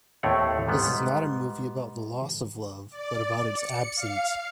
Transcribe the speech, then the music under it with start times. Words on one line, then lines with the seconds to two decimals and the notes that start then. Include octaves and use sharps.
This is not a movie about the loss of love, but about its absence.
0.23 D#2 A2 A3 C4 C#5 F#5
0.68 G#2 G3 B3
2.90 D5
3.54 C#7
3.95 F5